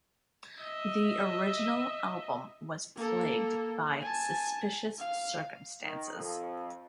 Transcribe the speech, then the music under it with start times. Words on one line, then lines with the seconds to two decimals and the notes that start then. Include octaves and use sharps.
The original album was plagued by suspicious circumstances.
0.61 D#5 E5
2.96 A#3 A4
4.02 G#5 A5
4.99 F5
5.83 D#3
6.13 F2